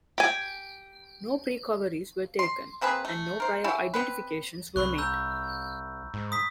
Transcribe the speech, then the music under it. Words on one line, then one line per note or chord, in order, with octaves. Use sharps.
No precoveries were taken, and no prior identifications were made.
G4 G#5
C6
A#3 C4 G#4 B4
A3
A#4 C5
C#4 E4 G4
B3 C4 B4
C2 B5 C#6 F#6
A#5 E6 G6
G#2
D#6 B6